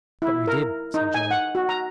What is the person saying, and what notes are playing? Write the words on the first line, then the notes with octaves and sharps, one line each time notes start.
"But we did," said John.
E4
A#4
D#4
G#5
F#5
F#4
A#5